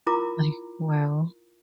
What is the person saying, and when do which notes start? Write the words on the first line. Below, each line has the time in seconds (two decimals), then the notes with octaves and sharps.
like, wow.
0.07 E4 F4 A#4 A#5 D6